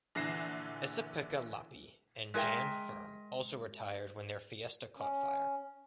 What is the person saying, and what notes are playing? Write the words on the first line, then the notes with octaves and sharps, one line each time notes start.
Esapekka Lappi and Janne Ferm also retired when their Fiesta caught fire.
A#1 D3 E3 A#6 C7 E7
G#3 G#4 A#4 C#5 E5 G5
C#4